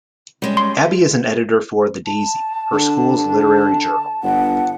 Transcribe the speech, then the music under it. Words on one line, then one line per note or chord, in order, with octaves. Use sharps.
Abby is an editor for "The Daisy", her school's literary journal.
G3 G#3 C#4
C6
A5
D3
G1 F#5